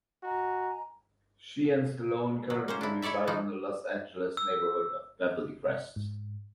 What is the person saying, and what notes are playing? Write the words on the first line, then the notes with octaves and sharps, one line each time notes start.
She and Stallone currently reside in the Los Angeles neighborhood of Beverly Crest.
F#4 D#5 G#5 A#5
F#3
A#3 C#4 C5
D4 E4
E4 A4 C#5 D5 E5
E3 F3 D4 D#4
E6
G#2